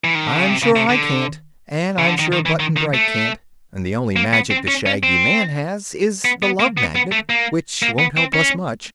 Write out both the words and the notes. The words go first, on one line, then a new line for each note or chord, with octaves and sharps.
"I'm sure I can't; and I'm sure Button-Bright can't; and the only magic the shaggy man has is the Love Magnet, which won't help us much."
E3
D#3
D3
C#3
C3
C#3
C3
D3
C#3
D3
D#3
D#3
E3
D#3
D#3
A3
A#3
B3
C4
C#4
C#4
C4
B3
B3
A#3
B3
B3
A3
A#3
A#3
B3
C4
C#4